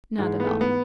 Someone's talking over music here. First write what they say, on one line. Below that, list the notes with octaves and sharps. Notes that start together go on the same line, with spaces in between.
Not at all.
G#2 E3 G#3
B3
A3
B3